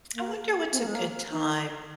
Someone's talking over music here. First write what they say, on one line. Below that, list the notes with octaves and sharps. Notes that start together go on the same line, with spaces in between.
I wonder what's a good time
A#3
C4
A#3
G#3
A#3
D#4